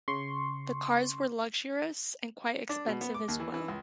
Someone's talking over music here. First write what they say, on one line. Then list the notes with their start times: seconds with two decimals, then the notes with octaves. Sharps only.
The cars were luxurious, and quite expensive as well.
0.08 C#3 C6 C#6
2.69 D4
2.87 B2
3.01 B3
3.14 D6
3.28 D#2
3.40 E3
3.54 E3
3.68 C#2